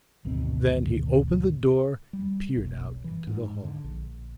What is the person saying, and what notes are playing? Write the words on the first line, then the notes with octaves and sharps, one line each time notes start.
Then he opened the door and peered out into the hall.
G#1 D2 B2 C4
G3
E1 B1
E3
G#2
D3
A#1